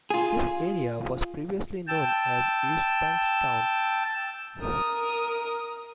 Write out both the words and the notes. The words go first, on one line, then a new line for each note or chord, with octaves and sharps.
This area was previously known as East Bankstown.
F4 G#4
G5 A5 E6
A#4 D#6